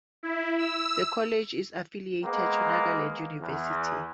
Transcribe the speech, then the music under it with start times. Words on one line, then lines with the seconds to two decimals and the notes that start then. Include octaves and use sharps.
The college is affiliated to Nagaland University.
0.23 E4
0.58 E6
2.24 G#3 A#3 B3
3.41 E2